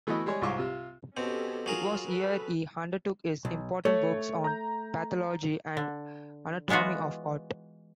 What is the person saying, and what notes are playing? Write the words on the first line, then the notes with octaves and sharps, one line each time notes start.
It was here he undertook his important works on pathology and anatomy of heart.
E3 A3 B3 E4 F#4 D#5
G3 G#3 G#4 C#5
C2 G#2 F4 C#6 D6
C3 F4
B2 C4 C#4 G4 A4
F#3 F4 G#4 A#4
A4 B4
B1
A3 C#5
A#5 G6
D3
E3 G#3 B3 F4 F#4